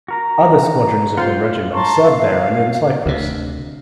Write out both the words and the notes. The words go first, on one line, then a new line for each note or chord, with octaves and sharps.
Other Squadrons of the regiment served there and in Cyprus.
F#4 A#4 A#5
F4 C5 F#5 G5
A5 A#5 C6 C#6
F5
D2 C3